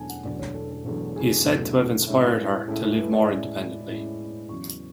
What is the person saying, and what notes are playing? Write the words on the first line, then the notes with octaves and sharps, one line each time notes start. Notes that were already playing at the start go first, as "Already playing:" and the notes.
He is said to have inspired her to live more independently.
Already playing: E1 E2 D3 F#3 A3 G#5 A5
F#5
E1 E2 D3 F#3 A3 D5
C#5
A4
A4
E1 E2 D3 F#3 A3 A4
G#4
E1 E2 D3 F#3 A3
A2 G#3 C#4 E4
A2 G#3 C#4 E4 A4
A4
B4
D5
A2 G#3 C#4 E4
A2 G#3 C#4 E4
E2 C#3 F#3 C#6